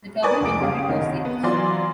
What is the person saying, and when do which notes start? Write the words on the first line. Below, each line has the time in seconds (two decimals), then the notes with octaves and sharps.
The turbine included two stages.
0.22 A#4 B4 D5 G#5 C#6 D#6
0.41 F1 C#2 D6 D7
0.60 F#1 C#4 G4 F5 D#6
0.89 C2 D#3 C#5
1.25 B3
1.43 E3 F#3 F4 F#4 D5 C6